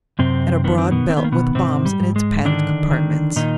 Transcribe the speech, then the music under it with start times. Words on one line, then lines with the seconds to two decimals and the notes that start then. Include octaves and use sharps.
And a broad belt with bombs in its padded compartments.
0.19 F#2 C3 C4
0.64 D#3 B3
0.78 C4
0.91 B2 B3
1.09 D#3 C4
1.17 B3
1.24 A#3
1.32 B2 B3
1.55 G#2 C3 C4
1.85 G3
2.00 G#2
2.16 G#3
2.45 D3 D#3 D4
2.91 D#3
3.36 A#2 D#3 D#4